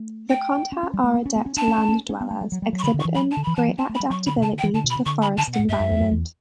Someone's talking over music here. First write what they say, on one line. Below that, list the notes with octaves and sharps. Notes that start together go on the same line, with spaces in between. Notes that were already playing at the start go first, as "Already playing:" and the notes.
The Kondha are adept land dwellers exhibiting greater adaptability to the forest environment.
Already playing: A3
G5
C#4
C#4
G3
A3
B3
C#4
B3
C#4
D4 A5
C#4
C#4
C#4
C#4
B3
A3
G3
F#3
G3
F#3
C#6
D3 B5
D3
C#6
E3
F#3 B5
A5
D3
E3 B5
E3 A5
F#3
C#4 A5
A3
B5
G3
F#3 C#6
D3 B5
B2
C#3 A5
D3
G5
E3
D3 A5
B2
B5
C#3
D3 C#6
B5
D3 A5
B2
F#5
A2
G2 E5
F#2
E2
F#2
E2